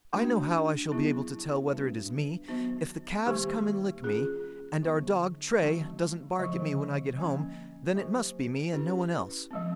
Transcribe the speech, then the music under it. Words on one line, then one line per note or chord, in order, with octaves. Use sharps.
I know how I shall be able to tell whether it is me; if the calves come and lick me, and our dog Tray doesn't bark at me when I get home, then it must be me, and no one else.'
A3 D4 F#4
F#3 B3 E4 G#4
G3 B3 D4 F#4 B4
D#3 F#3 B3 D#4 F#4
D#3 G3 A#3 D#4 G4
C#4 F4 G#4
D3 F#3 B3 D#4
F3 G#3 C4 D#4 F#4
D3 F3 G#3
F3 A#3 C#4
F#3 A#3 D#4 G4 C5
C#4 E4 G4 B4
F3 G#3 C4